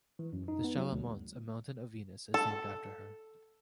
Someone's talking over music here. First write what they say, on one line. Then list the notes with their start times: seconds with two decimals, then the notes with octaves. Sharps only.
The Shala Mons, a mountain on Venus, is named after her.
0.19 E3
0.33 F#2
0.48 D#4
0.64 B3
0.77 F#3
0.92 D2
2.34 A4